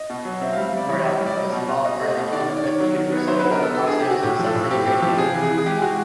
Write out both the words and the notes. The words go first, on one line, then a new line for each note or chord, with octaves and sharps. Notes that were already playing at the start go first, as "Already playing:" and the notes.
Murdoch was involved early on with the University of Glasgow's Subcity Radio.
Already playing: D#5
B2
F#3
C4 E5
G3 F5
E5
G3 D5
E3 C#5
D5
G3 C#5
G3
D5
F#3 D#5
B2
B2
B2 D#5
A3
D#5
B2
D#3 D5
D#3 C#5
D5
D#3 C#5
F#3
D#3
B3
C#5
F#3 C5
D3 B4
A#4
B3 A4
D3 A4
D3 G#4
G4
D3 F#4
A2 G4
F3
A4
A2
C4 G4
A2 G4
F3 G4
C3 G#4
E3
G#4
E3
G#4
G#3 G4
G#3 F#4